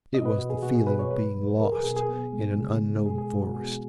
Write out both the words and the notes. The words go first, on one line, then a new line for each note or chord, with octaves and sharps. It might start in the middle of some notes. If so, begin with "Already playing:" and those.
It was the feeling of being lost in an unknown forest.
B2 D#5
B4
B2 F#4
G#4
B2 F#4
G#4
B2 B4
C#5
F#3 B4
E2
E2 A#4
G#4
B2 G#4
G#4
B3
G#3
C#3
G#3
B2 G#4
G#4
G#3
F#4
B3 G#4